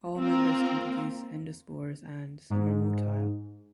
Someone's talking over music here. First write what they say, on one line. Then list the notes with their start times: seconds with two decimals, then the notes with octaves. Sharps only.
All members can produce endospores and some are motile.
0.18 A#3 C4 F4 A#4
2.50 G#2